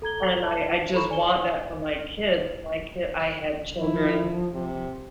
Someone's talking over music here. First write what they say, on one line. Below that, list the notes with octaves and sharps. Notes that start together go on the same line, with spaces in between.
and I I just want that for my kids. My ki I had children
A4 A#5 G#6 G7
A5
A4 A#5 B5 C#6 E7
D5 G#5 E7 G7
F3 E4
C3